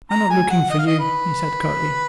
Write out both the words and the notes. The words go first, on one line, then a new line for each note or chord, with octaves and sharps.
"I am not looking for you," he said curtly.
A#5
G#5
F#5
D#5
F5
D#5
B4